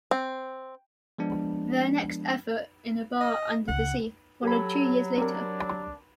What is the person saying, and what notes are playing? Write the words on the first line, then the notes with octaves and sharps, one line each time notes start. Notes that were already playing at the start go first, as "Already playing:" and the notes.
Their next effort "In a Bar, Under the Sea" followed two years later.
C4
F3 G#3 B3 D4
D#5
C#2 F#5
F#3 G4 A4 B5
C4 D4 A#4